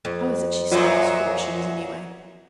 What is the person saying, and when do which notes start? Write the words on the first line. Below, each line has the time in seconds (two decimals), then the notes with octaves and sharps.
How is it she spaes fortunes any way?
0.05 F2
0.71 F#2 A#2 F#3 F4